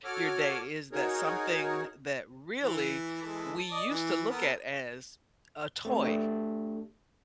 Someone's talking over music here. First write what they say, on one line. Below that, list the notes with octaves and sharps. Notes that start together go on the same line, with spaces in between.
your day, is that something that really we used to look at as a toy,
F#4 A4 C#5 D6 F6
D#4 F#4 G#4 A#4 C#5
E3
E3 G#3 A4
A5
D5 D#5
E3
B3 A4 A#4
A3 C4 A#4
A3 D4 G4